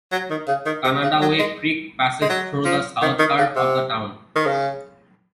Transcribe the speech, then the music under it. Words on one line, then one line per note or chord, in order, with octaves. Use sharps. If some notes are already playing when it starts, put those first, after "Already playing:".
Canadaway Creek passes through the south part of the town.
F#3
D#3
C#3
D#3
C3
C#3
F#3
G#3
G#3
F#3
F3
D#3
D#3
C#3
C3
D#3
C#3